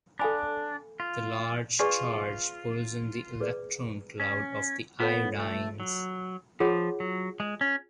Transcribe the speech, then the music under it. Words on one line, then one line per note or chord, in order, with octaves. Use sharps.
The large charge pulls on the electron cloud of the iodines.
D4 A4 F5 G#5 B5
F4
F4 G#4 B4 D5 G#5 C#6
G#4 B4 D5
C#4
B3 F4 A4 C#5 F5
A3
F#3
F3 F4 G#4 C#5 F#5
F#3
G#3
C#4